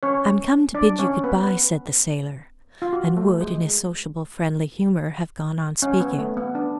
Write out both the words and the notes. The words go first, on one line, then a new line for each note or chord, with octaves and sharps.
"I'm come to bid you good bye," said the sailor, and would in his sociable friendly humour have gone on speaking.
C#4 C#5
D4 D5
C#4 C#5
B3 B4
F4
F#4
A3
G#3
C#4
B3
A3
B3
D4